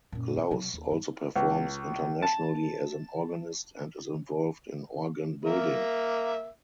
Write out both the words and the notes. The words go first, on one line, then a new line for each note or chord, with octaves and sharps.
Glaus also performs internationally as an organist and is involved in organ building.
F#2 A#2
E3
C3 F#3
D#2
G2
C#2
A5
A#3 A#4 E5